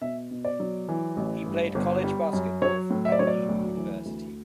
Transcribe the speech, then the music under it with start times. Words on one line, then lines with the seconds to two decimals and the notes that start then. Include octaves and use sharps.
He played college basketball for Pepperdine University.
0.01 B2 E5
0.31 B2
0.45 D5
0.60 F#3
0.89 E3
1.17 A1
1.46 G2
1.75 G1
2.04 G3
2.33 F#2
2.62 F#3 C#5
2.90 A2
3.05 E5
3.12 D5
3.19 F#3 C#5
3.27 D5
3.49 D2
3.77 E3
4.06 D2